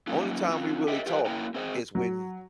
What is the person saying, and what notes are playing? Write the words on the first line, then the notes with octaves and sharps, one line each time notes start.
only time we really talk is when
F#3 A#3 C#4 D#4 F4
C4 C#4 F4
G4 A4 A#4 D#5 E5 G5
F4 G4 B4 F5
A#3 C#4 E4 A#4 G5 A#5
C4 G#4 C5 D5 D#5
F#3